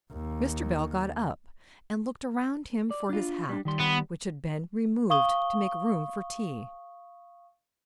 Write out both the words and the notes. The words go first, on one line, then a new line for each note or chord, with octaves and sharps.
Mr. Bell got up and looked around him for his hat, which had been removed to make room for tea.
D#2
D5
D4 F4
G3 D4
D#3 G3 C6
B3
F5 C#6 D#6 G7